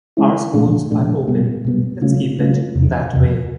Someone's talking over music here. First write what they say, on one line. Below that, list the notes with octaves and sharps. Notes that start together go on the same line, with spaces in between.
Our schools are open. Let’s keep it that way.
G#3 C#4 E4
A#2 F3 A3 D4
A#2 F3 A3 D4
B2 G3 B3
B2 G3 B3
C#3 F#3 A3 C#4 F4
C#3 F#3 A3 C#4 F4
E2 C3 F3
E2 C3 F3